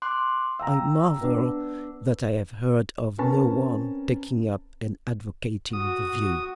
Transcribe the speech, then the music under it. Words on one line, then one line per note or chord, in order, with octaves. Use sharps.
I marvel that I have heard of no one taking up and advocating the view.
C6 D6 F#6
F5 G5 A#5 E6
B3 D4
C4 C#4 A#4 B4 A5
F#4 D#6